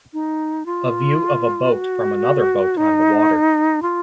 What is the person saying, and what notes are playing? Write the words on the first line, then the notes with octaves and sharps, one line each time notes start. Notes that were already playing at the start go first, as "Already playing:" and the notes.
A view of a boat from another boat on the water.
D#4
F4
F#4
D#4
F4